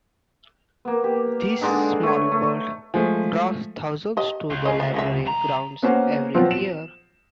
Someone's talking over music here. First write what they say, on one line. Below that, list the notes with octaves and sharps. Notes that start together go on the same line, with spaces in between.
This small bird draws thousands to the library grounds every year.
A#3 B3
G4
D3 G#3 D4 D#4
A3 C#5
A3
F3 G#3 A3
G4 D#5
C#2
G#4 D#5
A3
F3 F#3 E5
C2 A#5
A#3 B3 C#4 F#4 C5
F3 F#3 B3 C4 F4
E7